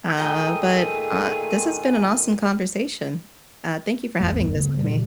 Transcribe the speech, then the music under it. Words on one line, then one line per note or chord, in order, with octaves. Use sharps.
Uh, but, ah This has been an awesome conversation, uh, thank you for having this with me.
A#2 D#3 A3 G#4 D#5 G5 G#5 A#5
A1 F2 A3
D1 G1 G2 B3
C#3 A3
A#2 D3 G3